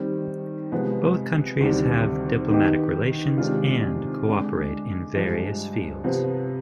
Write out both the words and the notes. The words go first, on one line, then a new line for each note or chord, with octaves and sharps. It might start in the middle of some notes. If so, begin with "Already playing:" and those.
Both countries have diplomatic relations and cooperate in various fields.
Already playing: D#3 G3 C4
C3 F3 G#3 B3
D2 C3 D#3 G3 D4
D#3 B3 D#4 G4
C3 D#3 G#3 D4 F4
D3 G#3 D4
G2 F3 G#3
C3 F3 B3